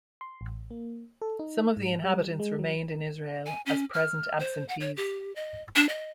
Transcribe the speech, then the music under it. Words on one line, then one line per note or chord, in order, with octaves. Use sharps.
Some of the inhabitants remained in Israel as present absentees.
C6
A1
A#3
A4
D#4
G#2
G3
G#3
F#3
G#5
C#4
F6
C5
F#5
C#5
G4
D#5
D4
D#5